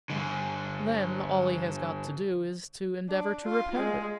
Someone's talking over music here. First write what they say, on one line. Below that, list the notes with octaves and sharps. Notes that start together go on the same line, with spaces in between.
"Then all he has got to do is to endeavor to repair it."
G2 D3
D4
F4
G#3